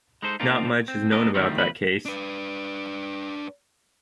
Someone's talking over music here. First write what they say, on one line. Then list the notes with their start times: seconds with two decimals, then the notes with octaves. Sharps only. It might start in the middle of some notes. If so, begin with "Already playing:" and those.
Not much is known about that case.
0.22 G#3 D#4 A4 C5
0.40 A#3 C4 D4 D#4 F4
0.88 C4
1.11 B3 D4 A#4 D#5
1.34 D2 D#3 F3 G3 A3 C4
1.58 E2 A#2 C#3 F#3 B4 B5
2.05 D4 B4